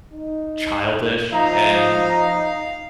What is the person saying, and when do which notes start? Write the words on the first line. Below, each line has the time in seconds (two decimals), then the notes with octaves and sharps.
childish, and
0.14 D#4
1.33 F3 D#4 F5 A#5